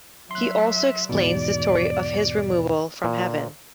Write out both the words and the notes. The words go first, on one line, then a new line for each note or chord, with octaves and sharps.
He also explains the story of his removal from heaven.
F#3 E5 C6 F#6
E2 G#2 B2 D5
A#2